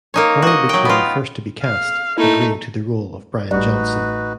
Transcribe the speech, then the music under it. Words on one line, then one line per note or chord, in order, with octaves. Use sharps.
Hall became the first to be cast, agreeing to the role of Brian Johnson.
A#3 D#4 C#5
F#4 D#5
F#3 G5
B3 F4
F5
A3 A#3 D#4 E4 A4
A1 G3 D#4 F#4 B4 C#6